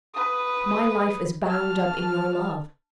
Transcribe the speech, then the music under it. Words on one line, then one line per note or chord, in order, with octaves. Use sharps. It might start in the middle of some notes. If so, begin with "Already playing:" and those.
My life is bound up in your love.
B4 D#6
A5 F6